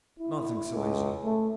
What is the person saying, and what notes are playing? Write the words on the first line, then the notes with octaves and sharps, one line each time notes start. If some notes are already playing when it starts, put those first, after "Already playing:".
Nothing so easy!
E4
C#2
A3